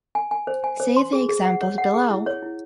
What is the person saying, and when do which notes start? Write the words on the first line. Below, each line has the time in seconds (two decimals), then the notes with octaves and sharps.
See the examples below.
0.15 G#5
0.31 G#5
0.47 C5
0.64 G#5
0.80 C5
0.97 C6
1.13 G#4
1.29 G#4
1.45 F#5
1.62 C#5
1.78 F#5
1.94 G#4
2.10 E4
2.26 C#5
2.43 E4